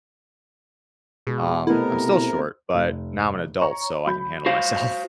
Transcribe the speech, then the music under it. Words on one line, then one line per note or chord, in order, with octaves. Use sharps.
um, I'm still short, but now I'm an adult, so I can handle myself.
B2 G#3
C3 A3 B3 E4 A#4
F1
C#5 A#5 C#6
F#3 B5 G6
F#4 C5 F5